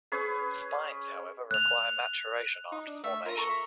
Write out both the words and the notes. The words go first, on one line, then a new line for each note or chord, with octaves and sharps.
Spines, however, require maturation after formation.
C#4 G#4 B4
F#6 F7
D#4
D4
A3 E5
F4 A#4 A#5
A4 A#5 C#6
E5